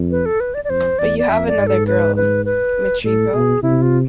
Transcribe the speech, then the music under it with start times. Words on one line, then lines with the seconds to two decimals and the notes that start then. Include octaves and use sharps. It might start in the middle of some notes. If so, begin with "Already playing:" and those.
But you have another girl, Dmitrieva.
Already playing: F2
0.11 B4
0.26 A4
0.40 B4
0.54 D5
0.64 D5
0.69 F2 C5
0.99 E2 D5
1.19 D5
1.28 F2 E5
1.48 D5
1.57 G#2
1.67 A4
1.87 B4
2.16 B4
2.46 B4
3.04 A2 A4
3.34 B2 G#4
3.63 C3 E4
3.82 F4